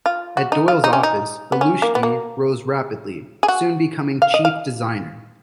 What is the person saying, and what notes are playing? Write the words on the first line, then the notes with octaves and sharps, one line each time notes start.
At Doyle's office, Belluschi rose rapidly, soon becoming chief designer.
F4
F#4
D#4
F4
D#4
C#4
D#4
B3
C#4
A#3
B3
A#3
G#4
F#4
F5
D#5
F5